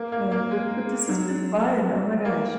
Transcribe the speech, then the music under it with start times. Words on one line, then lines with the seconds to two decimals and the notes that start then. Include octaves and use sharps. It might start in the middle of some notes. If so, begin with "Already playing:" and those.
Eh, but this has been fun, oh my gosh.
Already playing: A#3
0.12 A#3
0.32 A#3
0.51 G#3
1.09 F#3
2.25 A#3